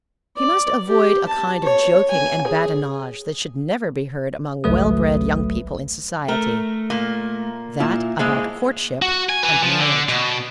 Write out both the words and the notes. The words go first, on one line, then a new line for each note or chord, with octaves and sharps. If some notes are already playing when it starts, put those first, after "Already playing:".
She must avoid a kind of joking and badinage that should never be heard among well-bred young people in society--that about courtship and marriage.
D5
G4
A5
C#5
G#5
G#4
G#1 C#2 F#3 A3 B4 D#6
A3 A#4
A#2 A#3
A#3 E4 F4
G#3 A#3 E4 G#4 C5 D#5
F#4
G#5
B4 G#5
F3
D3
B2